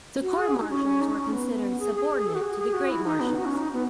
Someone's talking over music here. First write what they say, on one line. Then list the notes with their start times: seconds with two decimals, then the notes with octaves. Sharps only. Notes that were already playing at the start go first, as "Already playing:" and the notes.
The Court Marshals were considered subordinate to the Great Marshals.
0.22 F#4
0.38 G#4
0.61 D#4
0.70 C#4
0.85 C#4
1.01 D#4
1.17 C#4
1.33 B3
1.80 G#4
1.95 G#4
2.10 G#4
2.26 A4
2.34 F#4
2.42 G#4
2.58 G#4
2.74 F#4
2.89 E4
3.04 D#4
3.20 B3
3.36 F#4
3.46 C#4
3.57 D#4
3.73 B3